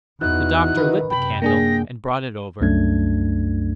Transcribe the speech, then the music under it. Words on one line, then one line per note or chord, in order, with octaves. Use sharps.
The doctor lit the candle and brought it over.
E2 E3 D#4 E4 F#4 F#6
D#3 B4
F#2 C3 G5 B5
A#3 D4 G#4 A#6
C2 F#2 A3 D4 G#6